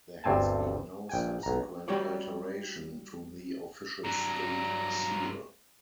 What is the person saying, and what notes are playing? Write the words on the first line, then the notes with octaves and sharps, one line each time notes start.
There has been no subsequent alteration to the official state seal.
G1 D2 G2 C4 G#5 A5
A#1 G5 G#5
B1 A#5
G3 F#4 G4 C#5 D5
G2 F#3 A#5